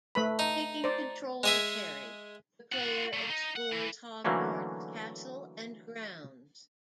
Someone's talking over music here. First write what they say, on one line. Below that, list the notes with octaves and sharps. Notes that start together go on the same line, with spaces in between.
Taking control of Harry, the player explores Hogwarts castle and grounds.
A3 B4 B5
D#4
C5 D5
G#3 G#4 E5
F4 F#5
A3 A#3
D#4
F#5
E3
D3 E3 F#3 A3 A#3 C#4